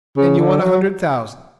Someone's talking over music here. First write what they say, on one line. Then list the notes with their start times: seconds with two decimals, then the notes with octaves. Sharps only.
And you want a hundred thousand.
0.17 C#3
0.39 D3
0.60 F#3